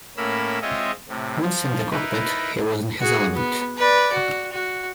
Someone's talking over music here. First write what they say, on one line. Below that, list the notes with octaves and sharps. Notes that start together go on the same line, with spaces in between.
Once in the cockpit, he was in his element.
A2 A#3 C#4 A#4 B5 E6
G#3 C4 F4 C#5 D#5 E5
A2 C3
F3
D#4 E4 A#4 B4
F#4 G#4
B3
B4 D5
F#4
F#4